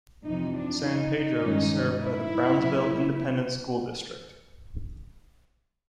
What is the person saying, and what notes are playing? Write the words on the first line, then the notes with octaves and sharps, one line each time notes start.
San Pedro is served by the Brownsville Independent School District.
F2 C3 E3 D#4
D4
D#4
G2 D#3 G#3 C#4
E4
A#2 F#3 B3